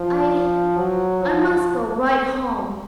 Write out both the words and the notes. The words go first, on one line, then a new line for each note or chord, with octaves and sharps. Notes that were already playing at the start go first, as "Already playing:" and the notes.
"I--I--must go right home."
Already playing: F3
F#3
F3